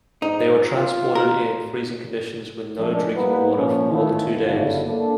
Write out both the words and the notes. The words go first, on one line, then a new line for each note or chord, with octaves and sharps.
They were transported in freezing conditions with no drinking-water for more than two days.
G#2 D#4
F4
A#4
F3 G#3 A3 C#4 D4
G3 A#3 B3 D#4 B4
A#2 F3 C#4
D#3 E3 A3 B3 E4 F4
G1 C#3 F#3 A3 E4 F5
A#3 D4 A4